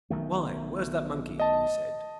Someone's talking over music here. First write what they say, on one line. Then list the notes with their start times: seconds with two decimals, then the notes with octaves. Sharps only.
"Why, where's that monkey?" he said.
0.10 B1 D#3 A3
1.40 D#5 A5